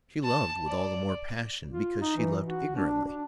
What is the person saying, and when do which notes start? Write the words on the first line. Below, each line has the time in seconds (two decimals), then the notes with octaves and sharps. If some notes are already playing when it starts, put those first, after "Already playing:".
She loved with all the more passion because she loved ignorantly.
0.24 A5
0.67 D5
1.71 F4
2.01 D#4
2.17 E3
2.43 F#4
2.76 D4
3.05 D4